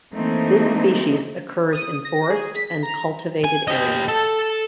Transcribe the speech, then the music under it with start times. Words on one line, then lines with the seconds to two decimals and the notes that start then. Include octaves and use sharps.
This species occurs in forest and cultivated areas.
0.13 E3 A3 A#3 C4 D#4
1.73 D#6
2.05 A#6
2.30 G#4
2.55 B6
2.83 A#5
3.44 G#5
3.68 G4 D#5
4.08 A4